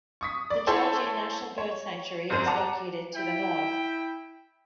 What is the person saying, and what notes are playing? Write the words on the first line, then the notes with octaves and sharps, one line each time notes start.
The Djoudj National Bird Sanctuary is located to the north.
C#6 D#6 B6
D5
E4 A4 C5 C#5 G#5
C#5
G#1 F#2 A#4 C5 D#7
F#5 A5 A#5 D6
E4 G5